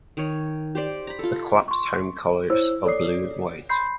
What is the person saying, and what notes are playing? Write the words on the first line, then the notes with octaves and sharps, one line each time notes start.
The club's home colours are blue and white.
D#3 C#5
G4 C5 D5
A#5 B5
F4 A4
C6 C#6
E4 C5 C#5 E6
A4 C#5 D5 D6 D#6 C7
B5 C6 G6 C7